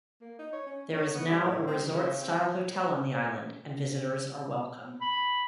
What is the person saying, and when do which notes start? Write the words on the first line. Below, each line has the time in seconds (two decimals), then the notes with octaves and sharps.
There is now a resort style hotel on the island and visitors are welcome.
0.21 A#3
0.39 D#4
0.53 C#5
0.66 C#4
0.93 C#5
1.15 B3
1.30 G3
1.44 A2
1.67 C4
1.80 G3
1.93 C#3
2.21 C4
5.01 B5